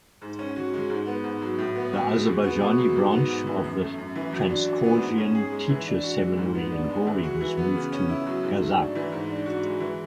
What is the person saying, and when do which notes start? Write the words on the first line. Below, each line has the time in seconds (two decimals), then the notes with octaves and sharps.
The Azerbaijani branch of the Transcaucasian Teachers Seminary in Gori was moved to Gazakh.
0.22 G#2
0.39 C#4
0.56 F#4
0.73 G#3
0.90 G#2
1.07 B3
1.24 G#2
1.42 F#3
1.58 A2
1.76 B3
1.93 F#4
2.10 G#3
2.27 B2
2.44 B3
2.61 B2
2.79 F#3
2.96 G#2
3.12 B3
3.29 G#2
3.47 E3
3.64 F#2
3.81 A3
3.98 F#2
4.15 E3
4.32 F#3
4.50 D4
4.67 F#4
4.84 B3
5.01 G#2
5.18 C#4
5.35 G#4
5.52 G#3
5.69 E3
5.87 D4
6.03 F#4
6.21 G#3
6.37 G#2
6.55 B3
6.72 D4
6.89 G#3
7.07 E3
7.23 F#4
7.41 E3
7.57 B3
7.75 C#3
7.92 C#4
8.09 E4
8.26 F#3
8.43 G#2
8.61 A3
8.78 D4
8.95 E3
9.12 G#2
9.30 D4
9.46 F#4
9.63 G#3
9.80 E3